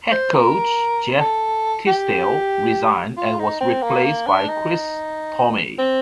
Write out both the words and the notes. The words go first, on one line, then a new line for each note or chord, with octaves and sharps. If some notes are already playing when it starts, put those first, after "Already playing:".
Head coach Jeff Tisdel resigned and was replaced by Chris Tormey.
C5
A#4
A4
G4
F4
D#4
C4
A#3
A#3
D4
D#4
C4